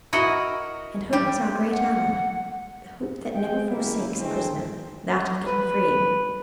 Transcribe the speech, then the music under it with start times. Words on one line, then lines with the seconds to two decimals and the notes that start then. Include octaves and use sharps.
And hope was our great ally--the hope that never forsakes a prisoner--that of getting free.
0.13 E4 F#4 A#4 D#5 F#5
1.13 G3 G4
1.70 F#5
3.34 G4 G#4 D#5 G5
3.70 F#1 E2 G#3 A#3 E4
4.18 D3 E3 G#3 A3 C4
5.46 B4